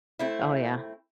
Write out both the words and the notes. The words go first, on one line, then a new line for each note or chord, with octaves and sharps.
Oh, yeah.
A3 C4 E4